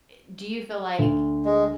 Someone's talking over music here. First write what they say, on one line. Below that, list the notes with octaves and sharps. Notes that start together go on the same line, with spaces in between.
eh do you feel like
D2
G#3